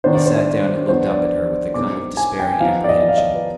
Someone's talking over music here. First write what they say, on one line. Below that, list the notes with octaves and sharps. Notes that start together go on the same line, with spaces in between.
He sat down and looked up at her with a kind of despairing apprehension.
D#3 B3 D4 C5
D5
C5
F3 B3 D4 C5
D5
B2 G#3 C4 D#4 D6
G#5
G5
F3 B3 D#4 F5
D5
D#5
F5
D#5
B4